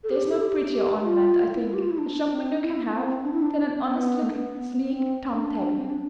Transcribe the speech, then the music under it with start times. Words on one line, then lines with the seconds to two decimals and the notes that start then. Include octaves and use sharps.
There is no prettier ornament, I think, a shop-window can have, than an honest-looking sleek Tom tabby.
0.04 A4
0.10 G4
0.31 A4
0.41 G4
0.72 G4
1.04 F4
1.51 E4
1.73 G4
1.81 F4
1.90 E4
1.98 D4
2.30 C4
2.61 E4
2.93 C4
3.24 D4
3.33 E4
3.42 D4
3.87 B3
4.22 A3
4.33 B3
4.81 C4
5.28 D4
5.75 C4
5.90 D4